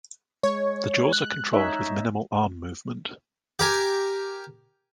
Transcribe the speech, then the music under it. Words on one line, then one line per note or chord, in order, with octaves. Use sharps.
The jaws are controlled with minimal arm movement.
G#3 C#5
F#6
D#4 C#5 E5
G4 A#4 G#5